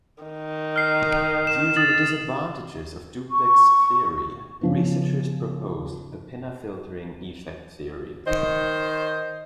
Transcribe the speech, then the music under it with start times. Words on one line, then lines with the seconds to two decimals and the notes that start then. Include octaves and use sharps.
Due to the disadvantages of duplex theory, researchers proposed the pinna filtering effect theory.
0.23 D#3
0.76 F6 C7
1.47 E7
1.76 D#6 A6 F#7
3.30 C#6
4.61 C#3 F3 B3
8.26 D#3 C5 D#5